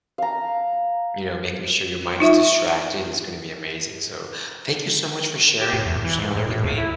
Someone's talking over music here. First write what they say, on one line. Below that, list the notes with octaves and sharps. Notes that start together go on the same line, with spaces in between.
you know, making sure your mind is distracted is gonna be amazing. So, thank you so much for sharing your story with me.
F5 A#5
D#4 F4 E5 C#6
G4
A2
E2
E3
G#2
A2
A2
D#2
E4